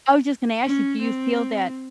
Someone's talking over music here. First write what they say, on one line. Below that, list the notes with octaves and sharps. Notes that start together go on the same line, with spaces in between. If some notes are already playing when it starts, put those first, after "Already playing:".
I was just gonna ask you, do you feel that
C#4
C4